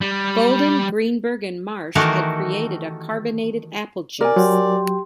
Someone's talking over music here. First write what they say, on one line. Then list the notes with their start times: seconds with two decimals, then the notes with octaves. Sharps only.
Golden, Greenberg and Marsh had created a carbonated apple juice.
0.01 G3
1.95 D#3 E3 A3 F#4 G4 A#4
4.21 A#4 D5 G#5
4.36 F#3 G4 G5 C6